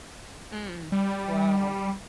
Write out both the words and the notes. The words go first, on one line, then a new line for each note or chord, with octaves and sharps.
Mm, wow.
G3